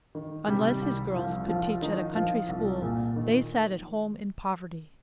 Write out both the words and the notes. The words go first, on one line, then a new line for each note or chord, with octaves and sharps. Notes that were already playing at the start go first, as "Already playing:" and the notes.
Unless his girls could teach a country school, they sat at home in poverty.
D#3
C3 G3 G4
C2
C2 F3 F4
F3 F4
D#3 F3 D#4
F3 F4
C2
A#2
D#3